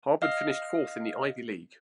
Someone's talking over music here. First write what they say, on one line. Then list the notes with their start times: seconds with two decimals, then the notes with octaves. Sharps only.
Harvard finished fourth in the Ivy League.
0.22 D#5 F5 F6